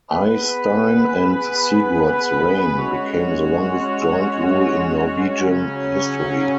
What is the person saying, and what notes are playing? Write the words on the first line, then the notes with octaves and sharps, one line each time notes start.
Eystein and Sigurd's reign became the longest joint rule in Norwegian history.
B3 G#4 B4
G#3 C#4 F#4 C#5
C#3 F#3 C#4